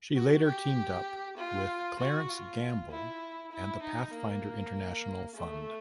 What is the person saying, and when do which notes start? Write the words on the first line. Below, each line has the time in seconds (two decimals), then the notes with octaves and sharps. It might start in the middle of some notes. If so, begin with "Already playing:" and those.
She later teamed up with Clarence Gamble and the Pathfinder International Fund.
0.15 F#4
0.46 G4
1.37 F4
1.99 F#4
2.29 F4
2.90 E4
3.51 E4
3.82 D#4
4.12 A#3
5.34 A3